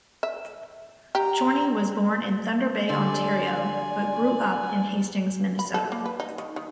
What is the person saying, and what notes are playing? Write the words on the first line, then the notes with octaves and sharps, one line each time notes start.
Chorney was born in Thunder Bay, Ontario, but grew up in Hastings, Minnesota.
E5
G4 A#5
D3 G3 A4 D5 G#5 C6
B5
A4
A#3
B4
D#4
D#3
D#3